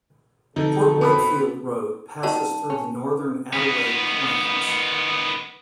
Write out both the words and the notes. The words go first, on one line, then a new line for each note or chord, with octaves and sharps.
Port Wakefield Road passes through the northern Adelaide Plains.
F2 B2 D3 E3 D#4 A4
B3 C4 B5
D#3 G3 B3 A5
C#4
D#3 B3